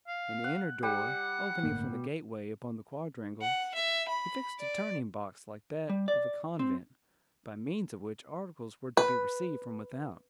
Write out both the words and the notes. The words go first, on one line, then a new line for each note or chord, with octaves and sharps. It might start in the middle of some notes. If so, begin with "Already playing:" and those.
In the inner door, opening from the gateway upon the quadrangle, he fixed a turning box like that of a convent, by means of which articles were to be received from without.
F5
F#5
G3 F#5
G1 A2 A#3
B2
F#5
E5
B5
D5
G3
D5
C4
B4